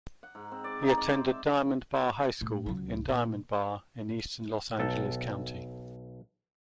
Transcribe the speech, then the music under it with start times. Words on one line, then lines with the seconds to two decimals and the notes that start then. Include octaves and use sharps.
He attended Diamond Bar High School in Diamond Bar, in eastern Los Angeles County.
0.23 F#5
0.35 G#2
0.51 C4
0.64 D5
0.82 D#4
0.98 D5
1.14 C5
1.29 E5
2.41 A2
2.66 C#2 F#3
3.04 A#2 D#3
4.79 B1 A4